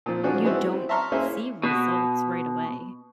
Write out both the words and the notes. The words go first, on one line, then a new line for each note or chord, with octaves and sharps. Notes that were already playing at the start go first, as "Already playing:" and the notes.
you don't see results right away,
A#2 F3
D#3 F3 B3 C#4 D4 F#4
G#3 B3 C4 E4 F#4
C4
E5 A5 A#5 C6 C#6 F6
A#3 C#4 E4 G#4 C5 E5
B2